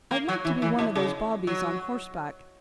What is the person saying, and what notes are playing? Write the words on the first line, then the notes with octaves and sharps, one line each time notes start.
I'd like to be one of those bobbies on horseback.
A#3
F#3
E3
E3
B2
C#3
F#3